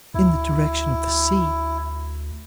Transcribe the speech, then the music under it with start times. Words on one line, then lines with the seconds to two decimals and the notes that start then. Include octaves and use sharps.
"In the direction of the sea."
0.14 D2 E4